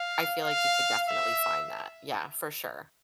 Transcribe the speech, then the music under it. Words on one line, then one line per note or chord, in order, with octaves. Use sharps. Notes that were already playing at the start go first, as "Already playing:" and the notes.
I feel like you could definitely find that, yeah, for sure.
Already playing: F5
F5
E5